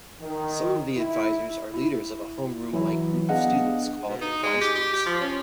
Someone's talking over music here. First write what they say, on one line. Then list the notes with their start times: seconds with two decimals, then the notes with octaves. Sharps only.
Some of the advisors are leaders of a homeroom-like group of students, called advisories.
0.21 D#3
0.96 E4
1.74 E4
2.73 E3 F#3 E4
3.29 B3 D4 G#4 D#5 F5 F#5
4.09 B2
4.22 D#4
4.43 G#3
4.61 G4
4.75 G4
4.94 G4
5.06 F3
5.21 C#4